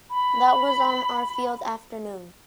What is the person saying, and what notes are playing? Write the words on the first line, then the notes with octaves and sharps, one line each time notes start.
That was on our field afternoon.
B5